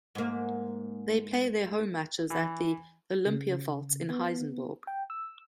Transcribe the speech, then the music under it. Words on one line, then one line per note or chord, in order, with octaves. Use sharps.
They play their home matches at the Olympiafältet in Helsingborg.
G#2 A#3
E3
C#3
B3
G5
E6